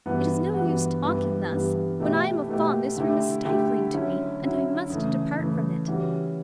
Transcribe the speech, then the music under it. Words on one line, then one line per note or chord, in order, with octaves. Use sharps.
"It is no use talking thus, when I am a Fawn this room is stifling to me and I must depart from it."
G2 E3 B3 F#4
G2 E3 B3 F#4
G2 E3 G3 B3
G2 E3 G3 B3
B2 A3 E4 G4
B2 A3 E4 G4
D3 A3 E4 G4
D3 A3 E4 G4
D3 F#3 C#4 E4
D3 F#3 C#4 E4
C#3 E3 A3
C#3 E3 A3
C#3 E3 G3 C#4 F#4